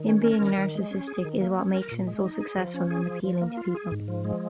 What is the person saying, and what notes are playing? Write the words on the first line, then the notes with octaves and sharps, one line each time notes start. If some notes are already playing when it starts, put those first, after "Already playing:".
Him being narcissistic is what makes him so successful and appealing to people.
Already playing: D#3
C#4
A#4
D#3
D#3
G#3
C#4
G#4
D#3
A#3
C#4
A#4
A#2
G#3
D#4
G#4
F3
C#4
G#4
F3
F3
A#3
F4
G#4
G#2
F3
G#3